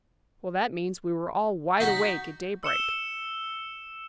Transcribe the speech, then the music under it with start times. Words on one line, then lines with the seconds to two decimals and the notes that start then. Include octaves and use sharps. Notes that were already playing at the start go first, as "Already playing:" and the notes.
"Well, that means we were all wide awake at daybreak."
1.80 D#4 F#4 G6 B6
2.63 E6 C#7 E7 G7